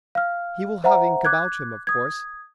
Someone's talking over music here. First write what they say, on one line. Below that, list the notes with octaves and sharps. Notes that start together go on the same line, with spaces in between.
He will have ink about him, of course.
F5 F6
C5 E5 F#5 A#5
D6 F#6 G#6
D#6 G#6